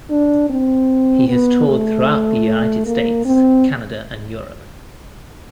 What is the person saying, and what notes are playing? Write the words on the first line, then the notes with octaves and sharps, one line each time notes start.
He has toured throughout the United States, Canada, and Europe.
D4
C4
B3
A3
A#3
C4